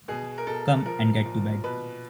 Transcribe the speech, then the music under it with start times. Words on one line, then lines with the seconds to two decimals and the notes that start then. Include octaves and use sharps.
Come and get to bed.
0.08 B2 G#4
0.38 A#4
0.47 B2 A4
0.86 F3 A#4
1.25 A#2
1.64 B2 B4